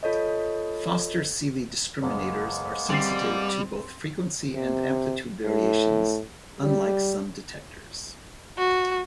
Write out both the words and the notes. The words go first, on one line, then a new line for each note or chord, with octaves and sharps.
Foster-Seeley discriminators are sensitive to both frequency and amplitude variations, unlike some detectors.
F4 A4 C#5 D#5
F#1 G#3 A#3 B3
G3 C4 A6 C7
C3
A2
G3
F#4